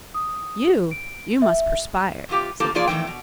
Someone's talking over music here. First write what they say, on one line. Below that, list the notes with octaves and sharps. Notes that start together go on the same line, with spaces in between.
"You! you must perspire," said the Queen.
D#6
D7
E5
G2 C3 F4 G4 G5
D3 A3 A#3 F4 G4 A4
E2 F3 A#3 F4 G#4 D5
F2 A2 C3 E3 A3 G5
B2